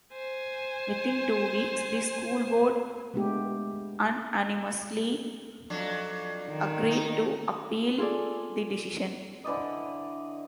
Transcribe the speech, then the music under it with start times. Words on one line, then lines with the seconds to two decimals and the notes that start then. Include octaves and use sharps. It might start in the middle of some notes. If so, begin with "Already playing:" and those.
Within two weeks, the school board unanimously agreed to appeal the decision.
0.13 C5 G#5
3.14 G#3 A3 B3 D4 G4
5.70 F2 F#3 D4
6.49 D#3
6.91 D#4
7.98 F4 G#4 A4 D5 G#5
9.44 D3 E3 D5 D#5